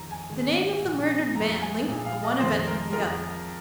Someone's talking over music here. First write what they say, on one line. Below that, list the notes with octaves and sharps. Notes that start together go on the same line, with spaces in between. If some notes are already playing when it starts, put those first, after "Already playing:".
The name of the murdered man linked the one event with the other.
Already playing: F2 D#3 G#3 A#5
G#5
G#2 D#3 G#3
A#2 F3 G#3
F2 F3 G#3 A#5
G#5
A#2 F3 G#3
F5
D#5
F2 D#3 G#3 C5
A#4
F2 F3 G#3 A#4